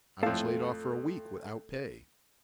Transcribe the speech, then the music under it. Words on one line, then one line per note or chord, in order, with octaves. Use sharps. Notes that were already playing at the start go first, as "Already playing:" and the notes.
I was laid off for a week, without pay.
F2 A2 A4 F5